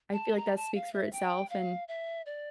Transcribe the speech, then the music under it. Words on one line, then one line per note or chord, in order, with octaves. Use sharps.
I feel like that speaks for itself, and
A5
A#5
A5
F5
E5
G5
F5
E5
D5